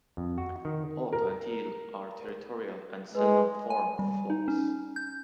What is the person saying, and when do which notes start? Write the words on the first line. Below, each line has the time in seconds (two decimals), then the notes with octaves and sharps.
Auckland teal are territorial and seldom form flocks.
0.17 F2
0.38 F#4
0.65 D#3
1.13 A#4
3.15 G#3 B4
3.70 G#5
3.99 G3
4.30 D#4
4.48 C#4
4.96 G6